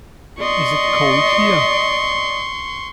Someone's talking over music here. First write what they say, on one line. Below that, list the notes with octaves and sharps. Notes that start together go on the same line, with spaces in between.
Is it cold here?
D5 D#5 C6 C#6